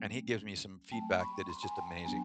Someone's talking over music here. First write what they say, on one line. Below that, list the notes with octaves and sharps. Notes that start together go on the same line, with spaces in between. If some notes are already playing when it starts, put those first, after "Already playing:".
And he gives me some feedback that is just amazing.
Already playing: F#3 A3 C#4
F#3 A3 C4 G5 A5
B5 C#6
A#5 C6
G#5 A#5
G5 A5
F#3 B3 D4 G#5 A#5